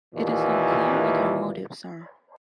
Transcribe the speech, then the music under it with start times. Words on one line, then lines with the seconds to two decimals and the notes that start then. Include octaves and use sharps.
It is unclear what her motives are.
0.15 D#2 A#2 E3